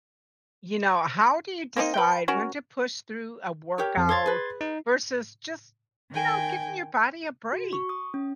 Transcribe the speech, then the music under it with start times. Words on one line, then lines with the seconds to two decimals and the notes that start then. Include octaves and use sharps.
you know, how do you decide when to push through a workout, versus just, you know, giving your body a break?
1.76 A#3 C4 D4 D#4
1.94 B4 G5
2.28 C#4 F#4 A#4
3.78 G4 A#4 C#5
3.97 F2
4.09 A4 C#5 C6 G#6 A6
4.26 G#4 B4
4.61 D#4
6.12 D#3 G5 G#5
7.53 F#4
7.73 C#6
7.89 D#6
8.14 C#4